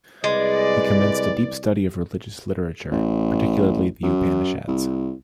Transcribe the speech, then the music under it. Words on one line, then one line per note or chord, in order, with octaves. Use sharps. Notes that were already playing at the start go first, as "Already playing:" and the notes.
He commenced a deep study of religious literature, particularly the Upanishads.
C2 G#3 B4 D5
A1
F#2
C2